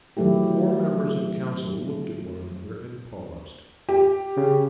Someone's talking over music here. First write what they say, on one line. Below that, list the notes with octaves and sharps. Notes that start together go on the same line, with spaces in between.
The four members of Council looked at one another, and paused.
D#3 E3 F#3 A3 E4 G4
G4
C#3